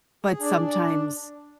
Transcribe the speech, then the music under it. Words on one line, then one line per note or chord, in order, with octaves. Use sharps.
but sometimes,
G#4
D4
D5
D4
D5
D4